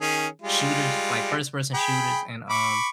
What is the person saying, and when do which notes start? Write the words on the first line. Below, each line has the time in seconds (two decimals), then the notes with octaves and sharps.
shooters like, first-person shooters and, um
0.01 D#3 C#4 G#4
0.42 G3 G#3 F4
1.74 G#4 G5 B5
2.49 B5 C#6 D6